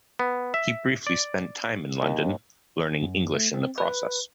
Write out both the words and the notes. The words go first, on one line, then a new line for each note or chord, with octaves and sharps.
He briefly spent time in London, learning English in the process.
B3
E5
D5
D#2
F#2
A3
C4
B4